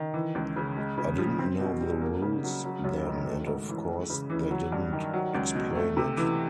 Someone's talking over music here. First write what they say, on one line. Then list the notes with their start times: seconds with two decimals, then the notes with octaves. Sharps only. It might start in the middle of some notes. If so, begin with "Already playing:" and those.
I didn't know the rules then, and of course they didn't explain it.
Already playing: D#3
0.14 E3
0.35 C#2
0.56 C#3
0.76 G#3
0.98 C#3
1.18 F3
1.39 C4
1.60 B2
1.80 G3
2.01 A#3
2.22 C#3
2.43 F#3
2.64 F#3
2.84 F#2
3.05 D#3
3.26 A3
3.47 G#2
3.68 E3
3.88 G#3
4.10 C#3
4.30 E3
4.50 F#3
4.72 G2
4.93 D#3
5.13 F#3
5.35 C#2
5.55 B2
5.76 A3
5.97 C3
6.17 E3